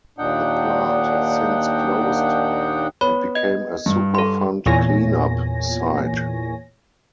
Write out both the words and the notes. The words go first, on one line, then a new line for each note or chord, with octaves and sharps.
The plant has since closed and became a Superfund cleanup site.
D#2 A#2 D4 D#4 F#5 G5
B3 C#5 B5
D#5 G#6
G2
A4 C6
E2 A#2 C#5 G#5 A#6